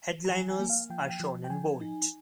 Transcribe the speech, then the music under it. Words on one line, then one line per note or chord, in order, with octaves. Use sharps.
Headliners are shown in bold.
A#5
F3 G#5
G#5
A#3
F5
F3 G5
F5
G5
F3
G5
F3 G#5
D#4